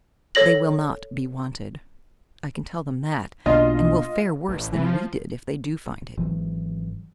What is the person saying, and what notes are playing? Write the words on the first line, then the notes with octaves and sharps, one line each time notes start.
They will not be wanted, I can tell them that, and will fare worse than we did if they do find it.
A4 C#5 A#6 F#7
B1 A#3 D4 F4 D#5
A1
E3
F3
G#1 E3 F#3